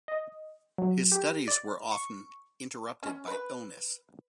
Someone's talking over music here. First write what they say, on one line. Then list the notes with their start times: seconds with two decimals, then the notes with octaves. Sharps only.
His studies were often interrupted by illness.
0.08 D#5
0.78 F#3
1.12 G4
1.48 D5
1.92 C#6
3.03 C#4
3.28 B4